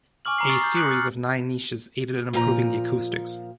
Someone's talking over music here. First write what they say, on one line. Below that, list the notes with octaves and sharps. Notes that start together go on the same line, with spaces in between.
A series of nine niches aided in improving the acoustics.
G#5 C#6 D6 F6 F#7
A#5 D6 C7 F#7
C#6 D#6 A6 C7
A#5 G6
D6 D#6 F#6 B6 C#7 F#7
F6 A6
A#2 F3 F4 G#5 A#5